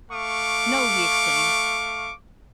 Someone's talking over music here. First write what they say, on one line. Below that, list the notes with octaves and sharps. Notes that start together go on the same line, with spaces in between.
"No!" he exclaimed.
A3 F5 C#6 D6